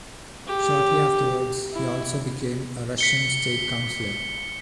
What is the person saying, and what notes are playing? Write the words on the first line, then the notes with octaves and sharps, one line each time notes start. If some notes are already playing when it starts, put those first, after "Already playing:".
Shortly afterwards, he also became a Russian state councilor.
G4
E4
B6 C#7 G7